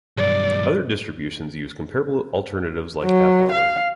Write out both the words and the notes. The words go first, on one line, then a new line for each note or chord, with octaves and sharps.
Other distributions use comparable alternatives like AppArmor.
B1 G2 D5
F#3
F5